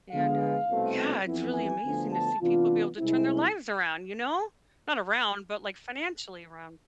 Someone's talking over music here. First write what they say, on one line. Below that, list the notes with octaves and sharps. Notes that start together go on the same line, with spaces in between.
and, uh yeah, it's really amazing to see people be able to turn their lives around, you know? Not around, but, like, financially around.
D3 G#3 B3 F5
C2 B2 A3 C4
F2 E3 B3 E4
G#5
D2 D3 F3 B3
A5
C3 E3 B3 D4 F4
C2 C3 G#3 C4 E4